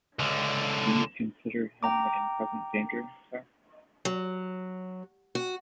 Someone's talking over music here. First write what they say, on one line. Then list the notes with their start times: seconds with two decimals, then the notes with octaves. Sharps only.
Do you consider him in present danger, sir?
0.19 C#2 D3
1.83 G5 A#5 D6
4.05 F#3
5.35 F#4